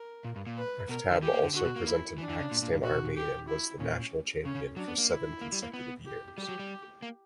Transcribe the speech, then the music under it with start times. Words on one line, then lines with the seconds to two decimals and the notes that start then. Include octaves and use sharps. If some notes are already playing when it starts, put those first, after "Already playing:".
Aftab also represented Pakistan Army and was the national champion for seven consecutive years.
Already playing: A#4
0.25 A#2
0.36 G2
0.47 A#2
0.57 B4
0.89 B2 A#4
1.11 D3
1.21 E3 G4
1.33 A#3
1.44 D3
1.54 D3 F#4
1.65 B2
1.76 A#3
1.87 E4
2.18 E3 D4
2.29 E3
2.40 C#3
2.51 A#2
2.62 A#2
2.72 G2
2.83 A#2 F#4
2.94 B2
3.04 A#2
3.16 G4
3.48 E4
3.80 A#2 C#4
4.44 C#3 C#4
4.55 C#3
4.76 F#3 D4
4.88 B3
4.98 A#3
5.10 E4
5.41 A#3
5.52 G3
5.62 A#3
5.74 B3
6.05 G4
6.38 G3 G4
6.49 F#3
6.59 G3
7.02 A#3